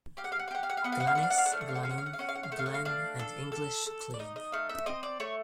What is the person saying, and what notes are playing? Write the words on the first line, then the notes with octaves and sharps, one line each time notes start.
Glanis, Glanum, Glen and English "clean".
G4 F5
F#5
F5
F#5
F5
G4 F#5
F5
F#5
F5
B3 F#5
F5
F#5
F5
D4 F#5
F5
F#5
F5
F#5
A3 F5
F#5
F5
F#5
C#4 F5
F#5
F5
F#5
F5
C#4 F#5
F5
F#5
F5
A3 F#5
F5
F#5
F5
D4 F5
A4
A4
A4
D5
D#4 D#5
D#5
A3 F5
E5
C4 D#5
D5
A3 C#5